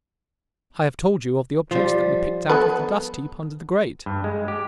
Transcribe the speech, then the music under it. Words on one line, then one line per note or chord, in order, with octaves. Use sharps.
I have told you of the objects that we picked out of the dust-heap under the grate.
F3 G3
B3 A4 B4
G2
G#3
G4